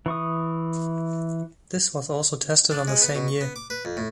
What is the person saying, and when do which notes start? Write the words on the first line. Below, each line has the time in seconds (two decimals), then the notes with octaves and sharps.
This was also tested on the same year.
0.06 E3 C#6 D#6
2.71 D4
2.87 G#3
3.01 B3
3.15 B2
3.28 C#6
3.41 B3
3.56 D6
3.70 B4
3.85 F2
3.97 A2